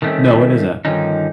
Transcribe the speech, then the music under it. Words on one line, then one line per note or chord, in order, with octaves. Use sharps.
No, what is that?
D#3 G3 A3 A#3 C4 C#4
G2 D3 D#3 F3 C#4 D#4